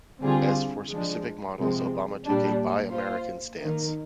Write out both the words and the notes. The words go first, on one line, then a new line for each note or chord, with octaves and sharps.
As for specific models, Obama took a buy-American stance.
D3 G3 C4 F4 G#4
F3 G#3 D4
C3 F3 G#3 C4
A#2 G3 D4
A#3 F4 C5
D#3 A#3 D#4